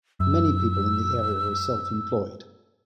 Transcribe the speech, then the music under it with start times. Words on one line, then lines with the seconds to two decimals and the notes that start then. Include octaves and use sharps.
Many people in the area are self-employed.
0.20 F#2 E6